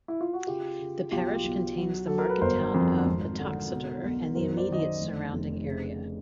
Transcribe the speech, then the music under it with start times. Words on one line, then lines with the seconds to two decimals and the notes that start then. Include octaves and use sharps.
The parish contains the market town of Uttoxeter and the immediate surrounding area.
0.08 E4
0.21 F4
0.33 F#4
0.47 C#3 F4 G4
0.79 C#3
1.11 B1 F4 G4
1.44 B1
1.76 F#3
2.07 F#3 A4
2.18 A#4
2.30 B4
2.41 G1 A#4 C5
2.74 F2
3.06 G#1
3.39 D3
3.70 B2
4.04 B1
4.35 F#2 A#4 C5
4.57 C5 D5
4.68 D#3 D#5
4.79 C5 D5
5.01 F1
5.33 F1
5.65 C#3